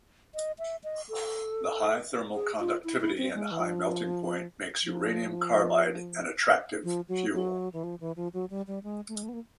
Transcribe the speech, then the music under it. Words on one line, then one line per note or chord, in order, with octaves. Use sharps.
The high thermal conductivity and high melting point makes uranium carbide an attractive fuel.
D#5
E5
D#5
A4
G#4
F4
E4
E4
C4
G#3
E3
F3
F3
F3
F#3
F#3
E3
F3
E3
F3
F#3
G3
G3
G#3
A3
G#3
A3
B3
A#3